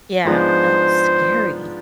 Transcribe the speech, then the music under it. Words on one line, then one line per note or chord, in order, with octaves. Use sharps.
Yeah, that's scary.
G#2 F3 G#3 B3 D4 C5